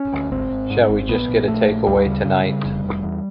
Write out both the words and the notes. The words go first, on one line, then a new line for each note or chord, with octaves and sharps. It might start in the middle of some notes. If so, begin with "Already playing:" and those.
Shall we just get a takeaway tonight?
Already playing: C#4
D2
G#1 C4
G#1
G#2
G#1
A#1 B3
A#1
A#1 A3
A#1
D2 G3
C#3
C#3
C#3
F1
F1
E2